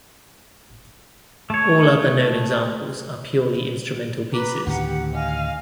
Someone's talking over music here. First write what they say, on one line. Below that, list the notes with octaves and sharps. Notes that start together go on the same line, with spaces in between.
All other known examples are purely instrumental pieces.
A3 C#5
B4 A#5 D6
D2 A2 D#3 G4 F#5
D#5 F5 G#5